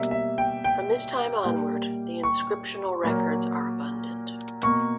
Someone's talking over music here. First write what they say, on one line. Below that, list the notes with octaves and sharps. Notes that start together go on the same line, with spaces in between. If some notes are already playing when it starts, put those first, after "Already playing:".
From this time onward, the inscriptional records are abundant.
Already playing: B2 G3 A#3 E5
E5
G5
G5
A#2 G3 A#3
C#6
A#2 F#3 A#3
B2 A#3 C#6